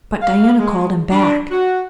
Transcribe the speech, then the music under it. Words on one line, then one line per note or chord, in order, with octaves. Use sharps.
But Diana called him back.
F5
G#3
D4
F#4